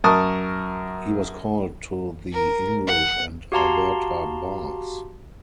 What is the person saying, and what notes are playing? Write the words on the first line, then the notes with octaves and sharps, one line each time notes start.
He was called to the English and Alberta bars.
F#2 A#4 A5 C#6 D#6 F6
A#4
F#5
F#4 G4 F5 A5 A#5 C6